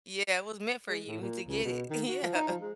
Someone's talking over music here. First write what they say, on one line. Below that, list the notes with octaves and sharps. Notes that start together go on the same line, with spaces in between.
Yeah. It was meant for you to get it. Yeah.
G#3
A2
A#2
C#2
B2
D#3
F#4
F3
D#4
F3
G#3